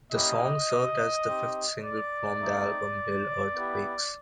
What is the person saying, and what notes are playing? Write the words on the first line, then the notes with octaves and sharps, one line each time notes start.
The song served as the fifth single from the album "Little Earthquakes".
A#3 C#4 E4 G4 D#5
C4 D#4 G4
D5
A3 C4 D#4
B3 E4 G4